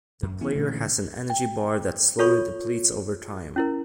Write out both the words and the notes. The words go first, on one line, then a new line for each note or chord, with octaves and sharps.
The player has an energy bar that slowly depletes over time.
F#2
E2 C#4
A1 A#2 D3
G5
F4 A4 C#5 B5 C#6
C#4 E4 A#4